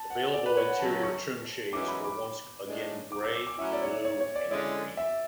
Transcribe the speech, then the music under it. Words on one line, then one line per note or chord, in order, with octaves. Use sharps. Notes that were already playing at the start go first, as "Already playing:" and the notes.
Available interior trim shades were once again gray, blue, and green.
Already playing: A5
F#5
D5
B4
C#5
F#5
F#2 C#3 F#3 A5
C#6
F#2 E3 G#3 C#4 E4 D6
B5
D6
A2 G#3 D4
D6
E6
D6
D6
A2 F#3 C#4 E4 E5
D5
C#5
C#5
C#5
D5
D3 G#3 C#4 E4 D5
E5